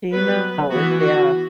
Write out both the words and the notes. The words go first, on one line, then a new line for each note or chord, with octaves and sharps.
she knows, yeah.
F#3 B3 B4
E3 B3 F#4
F#4